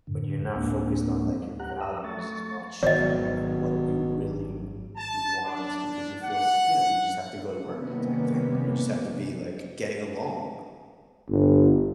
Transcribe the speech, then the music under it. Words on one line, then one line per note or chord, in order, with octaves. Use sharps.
but you're not focused on like your values as much and like what you really want because you feel, s you know, you just have to go to work type thing. Or you just have to be like getting along.
F#2 A2 D3
D2 A2 G#3 A#3 C4 D4
G4 F#5 A#5 F#6
E5 A#5 D#6 E6
A3 C#6 A6
G#1 B2 D#3 F#3 D5 D#5
A5
D4
F#5
C3 D#3 G3 A#3 B3 C#4
G1